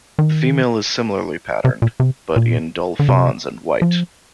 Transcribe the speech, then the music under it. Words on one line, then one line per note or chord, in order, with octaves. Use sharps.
The female is similarly patterned but in dull fawns and white.
D#3
C3
A#2
C3
A#2
D3
C3
F3